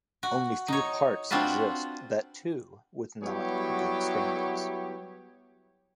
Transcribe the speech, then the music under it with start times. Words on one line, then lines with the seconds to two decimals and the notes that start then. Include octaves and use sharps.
Only few parks exist that too with not good standards.
0.23 F#4
0.68 D#4 C#5
1.31 C4 D4 F4 F#4 B4
3.22 F#3 G3 B3 E4 G4 C#5